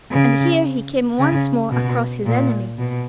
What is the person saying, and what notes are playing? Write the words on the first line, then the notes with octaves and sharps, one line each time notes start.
And here he came once more across his enemy.
C#3
C#3
B2
A#2
B2